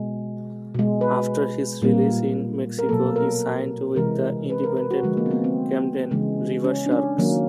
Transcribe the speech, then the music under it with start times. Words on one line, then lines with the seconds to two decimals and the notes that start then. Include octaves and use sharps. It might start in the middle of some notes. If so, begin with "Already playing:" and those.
After his release in Mexico he signed with the Independent Camden Riversharks.
Already playing: B2 G#3
0.74 B2 G#3
1.01 B4
1.82 A#2 G3 A#3
2.79 A#4
2.89 B2 F#3 A#3 A4
3.16 A#4
3.96 C3 E3 G#3 A#4
4.50 B4
4.64 A#4
4.77 B4
4.91 F#4
5.03 D3 F3 G#3
5.17 A#3
5.26 C4
5.31 B3
5.44 C4
6.11 C#3 E3 G#3
6.64 C#4
6.86 D4
6.91 C#4
7.18 D#3 F#3 A#3